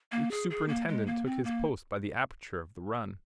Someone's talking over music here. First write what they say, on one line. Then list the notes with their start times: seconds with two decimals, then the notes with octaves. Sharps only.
Each superintendent took his post by the aperture of the run.
0.12 A#3
0.31 G#4
0.50 G#4
0.68 A#3
0.88 G#3
1.07 A#3
1.26 C4
1.44 A#3